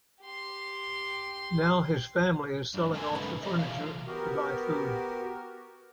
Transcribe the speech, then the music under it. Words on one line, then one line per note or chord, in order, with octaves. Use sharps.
Now his family is selling off the furniture to buy food.
G4 C6
F#2 D4
F3 C#4 A4 A#4 F#5 G#5
G#2 D3 A3 D#4 B4
F#3 C4 C#4 G4 C#5 D#5
E3 F#3 G3 A3 A#4 F5
F4
B3 F#4 G4 A#4